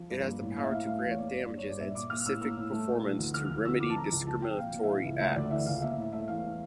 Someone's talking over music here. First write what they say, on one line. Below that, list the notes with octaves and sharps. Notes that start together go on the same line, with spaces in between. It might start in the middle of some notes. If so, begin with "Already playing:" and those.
It has the power to grant damages and specific performance to remedy discriminatory acts.
Already playing: F3
G2
A#3
A2
A#3 F5
E5
A2 F5
A3 F5
E2 F5
C#5
A#3 D5
G2
A#3
C#5
G2 D5
A#2 E5
A#2 D6
A#3 F6
A2 E6
A#3 E6
A2
A3
A#2
E3
D2
F3 F6
D2
E3 E6
F2 D6
A5
F3 A#5
C#2
F3 A5
F2 G5
A#2 F5
A#2
E5
E3 F5
C#2
A3 E5
D2 D5
E3 E5
C#2 F5
A#3 E5
A2
A3 E5
E2 F5
A3